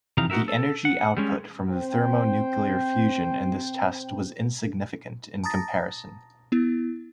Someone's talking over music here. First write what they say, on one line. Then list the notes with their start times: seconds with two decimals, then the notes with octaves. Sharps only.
The energy output from the thermonuclear fusion in this test was insignificant in comparison.
0.17 F2 C3 E3 D#4 F5 A#5
0.30 D#4 F#4 G4 A#4 E5
0.48 A4
0.85 F#5
1.17 G3 G#3 C#4
1.71 C4 C5 G5
5.44 A5 A#5 D#6 A6 A#6
6.52 B3 E4